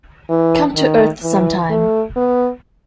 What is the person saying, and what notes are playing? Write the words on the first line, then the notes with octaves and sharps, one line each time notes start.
Come to Earth sometime.
E3
D#3
E3
A3
B3